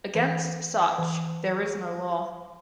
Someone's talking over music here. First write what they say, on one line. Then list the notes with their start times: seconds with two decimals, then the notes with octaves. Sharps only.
Against such there is no law.
0.15 E3
0.98 E3